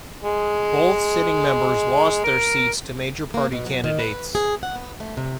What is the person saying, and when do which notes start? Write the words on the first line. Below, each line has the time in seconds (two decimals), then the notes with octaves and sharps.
Both sitting members lost their seats to major party candidates.
0.24 G#3
2.24 A#4
3.34 A#3
3.52 B2
3.66 F#3
3.84 D#3
3.99 B4
4.35 G#4
4.63 F#5
4.76 B3
5.00 A3
5.17 C3